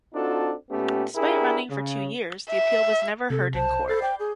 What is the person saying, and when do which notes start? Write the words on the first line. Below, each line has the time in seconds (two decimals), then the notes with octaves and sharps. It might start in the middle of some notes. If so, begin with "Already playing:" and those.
Despite running for two years, the appeal was never heard in court.
0.14 C4 D4 D#4 F4 F#4 A4
0.70 A#2 A3 B3 C#4 G4
1.16 D4 E4 G4 G#4 A#4
1.70 C#3
2.50 E5
3.30 C3 A4
3.54 B1 C5 A5
3.88 A4 B5 A6 C7
4.02 D5 G5 G6
4.19 G#4